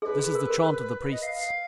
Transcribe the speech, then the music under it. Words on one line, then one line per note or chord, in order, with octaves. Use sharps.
This is the chaunt of the Priests.
G#4 B4 D#5
G#4
A#4
A#4
B4
D#5
F5
F5